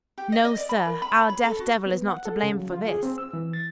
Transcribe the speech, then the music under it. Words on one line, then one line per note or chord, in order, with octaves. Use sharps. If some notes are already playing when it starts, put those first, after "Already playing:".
No, sir; our deaf-devil is not to blame for this.
G4
D#5
D#5
D5
B5
A#4
B5
C#5
B5
A4
F#4
B3
F#5
A4
C#3
F#3
F4
G#4
C4
E6
E3
A6